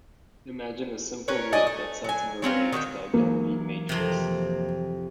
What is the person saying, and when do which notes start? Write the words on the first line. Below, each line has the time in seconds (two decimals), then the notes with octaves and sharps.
Imagine a simple loop that sets an array to the identity matrix.
1.28 C#4 A#4 B4 C#5
1.52 F#3 D5 D#5 G#5
1.67 A3
2.04 F#3 G#5
2.42 F#3 C4 C#4 F4
2.72 D#3 F#4 C#5 G5
3.14 E3 F#3 A#3
3.89 F2 C3